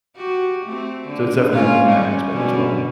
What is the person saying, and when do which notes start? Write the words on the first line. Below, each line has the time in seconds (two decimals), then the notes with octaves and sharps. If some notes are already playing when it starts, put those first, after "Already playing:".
So it's definitely helped in that aspect as well.
0.16 F#4 G4
0.65 A3 C4
1.08 D3
1.52 A#3 C#4 F4
1.87 G3 C4 C#4
2.29 B2 D3 C#4